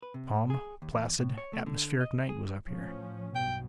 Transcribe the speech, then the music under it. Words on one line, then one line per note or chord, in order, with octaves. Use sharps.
Calm, placid, atmospheric night was up here.
B4
C3
A2
G#4
D#2
E2
A2
C#5
A3
D3
D#5
G#4
A2 F3 C#4
B1 G2 B2 G5